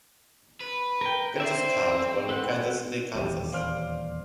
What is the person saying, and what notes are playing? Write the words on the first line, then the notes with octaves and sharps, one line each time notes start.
Curtis Carr was born in Kansas City, Kansas.
B4
A#4 G5
C4 C5 D5 E5
A4 B4 F#5
D#1 E2 G3 G4 D#7
C5 D5 F5 F6 D7